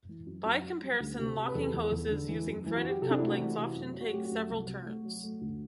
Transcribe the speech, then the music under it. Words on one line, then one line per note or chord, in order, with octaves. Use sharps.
By comparison, locking hoses using threaded couplings often takes several turns.
E3
F#2
F#2
F#2
G3
D2
C3
C3
B4
E2 A4
E2
E2
D3
E3
F#2
E3
F#4
F#2
G4
C3 A4
D4
A3 E4
F#4
E3
E4
C3
F#2
F#3
F#4
A3 G4
F#4
F#2
C2
C3
A3
F#3
A3
D2